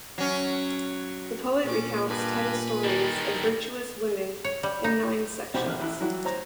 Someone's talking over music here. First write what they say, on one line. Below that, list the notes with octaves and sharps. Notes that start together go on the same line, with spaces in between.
The poet recounts ten stories of virtuous women in nine sections.
F#3 C#4
A#2 C#4 D6
G2 B4 G#5
D3 D#3 G3
C#5
G3
D#4
C2 B2 G4 C5 F#5 B5
A1 F6 F#6
A1 E4 B5 F#6
E3 F#3 G3 E4 F#4
C5 C#5 A#5